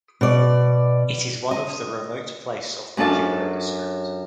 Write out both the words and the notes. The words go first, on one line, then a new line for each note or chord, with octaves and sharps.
It is one of the remote place of Bajura District.
B2 D5
D#5
F#2 C#4 D4 F4 A4 A5